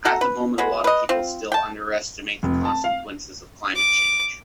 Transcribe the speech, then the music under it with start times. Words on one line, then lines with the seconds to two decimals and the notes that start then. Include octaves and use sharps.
At the moment, a lot of people still underestimate the consequences of climate change.
0.05 F#4 A4 F#5 A#5
0.21 B4
0.58 G#3 B3 F#4
0.84 B4 D#5
1.09 C4 F4
1.52 G5 A5
2.43 F1
2.65 A5
2.84 F5
3.76 D6